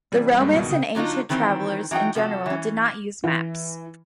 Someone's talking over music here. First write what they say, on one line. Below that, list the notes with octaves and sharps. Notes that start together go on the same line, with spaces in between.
The Romans and ancient travelers in general did not use maps.
C3 E3 G3 C4
G2 G#3 A#3
C#2 B2 D#3
C#3 B3 G5 D#6
D3 F#3 D4 D#4 F4
D#3 E3 F#3 C4
E3 F#3 D#4 F#5 G5
C3 F3 F#4 A4
E3 C#4
E3